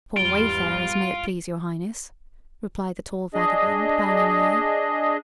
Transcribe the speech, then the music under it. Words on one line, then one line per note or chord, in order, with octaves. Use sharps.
"Poor wayfarers, may it please your highness," replied the tall vagabond, bowing low.
E2 G#2 G3 F4 D7 G7
D4 G#4 D#5